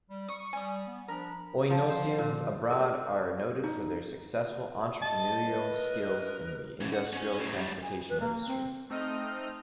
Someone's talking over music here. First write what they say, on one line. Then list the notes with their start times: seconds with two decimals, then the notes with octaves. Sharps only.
Oinoussians abroad are noted for their successful entrepreneurial skills in the industrial transportation industry.
0.09 G3
0.28 C#6 D#6
0.53 G3 G#5 D#6
0.87 B3
1.08 F3 D4 A#4 B5
1.70 F3
1.90 C5
2.19 A#2
2.70 G#4 A#4
3.64 D#4
5.02 D#5 A5
5.45 B4
5.73 A#4
6.81 E3 C#4
6.93 F#5
7.13 C#4 G#5
7.39 F#2 A2
7.53 F#2 G3
7.82 G#5
8.09 B4
8.20 A#3
8.47 C4
8.90 A3 C4 D#4 D#5 F6